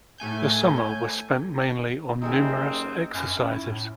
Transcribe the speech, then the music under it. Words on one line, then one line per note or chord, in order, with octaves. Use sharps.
The summer was spent mainly on numerous exercises.
A2 A3 G#5 G6
F#1 C4 D#4 G4 G#4 A#4 E5 A#5
F#2
C#4
E4
A2